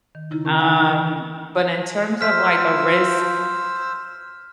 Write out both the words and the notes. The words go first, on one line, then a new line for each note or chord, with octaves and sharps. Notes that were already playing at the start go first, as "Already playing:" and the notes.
Um, but in terms of, like, a risk,
D#3
C#3 D#4 E4
D#3 C#4 A#4
F#5 G#5 A#5
E3
E3
F3 C5 E6 F6 B6